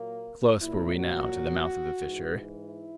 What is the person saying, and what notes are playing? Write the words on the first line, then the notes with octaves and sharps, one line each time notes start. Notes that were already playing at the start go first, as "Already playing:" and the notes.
Close were we now to the mouth of the fissure.
Already playing: A#2 F#3 A#3
A#2 F#3 E4
F#4
G#2 E3
E4